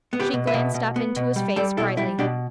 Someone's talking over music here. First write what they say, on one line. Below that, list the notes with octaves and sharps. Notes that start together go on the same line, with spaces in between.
She glanced up into his face, brightly.
B3
G4 B4
B2
B4 E5
B2
B2
B3
B2
G3
G3 A4 D5
B2 E4 A4
G3 E4
B2 D4 G4